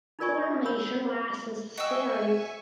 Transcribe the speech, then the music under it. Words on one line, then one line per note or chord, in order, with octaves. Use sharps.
Funimation licensed the series.
D#4 F4 A#4 D5 G#5 C#6
C#5 B5 E6
F#4 D#5 E5 G5 G#5 C#6 D#6 E6